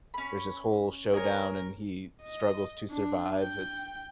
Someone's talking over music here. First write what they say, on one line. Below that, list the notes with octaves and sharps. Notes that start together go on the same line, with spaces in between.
there's this whole showdown, and he struggles to survive. It's
C#4 B5
G#4 A#4 C#5
D#5
D4
G5